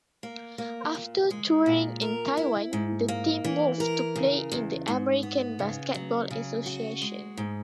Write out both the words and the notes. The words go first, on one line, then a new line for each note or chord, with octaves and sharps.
After touring in Taiwan, the team moved to play in the American Basketball Association.
A#3
A#3
A#2
G#3
A#2
A#4
E4
G#2
A#3
E3
A#4
C#3
E2
G#2
B3
C#3
F#3
C#3
F#4
G#3
G#2